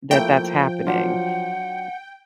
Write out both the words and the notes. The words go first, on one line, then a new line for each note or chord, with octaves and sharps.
that that's happening,
F3 A3 A#3 E4 G5
F#3 D4 F4 F#5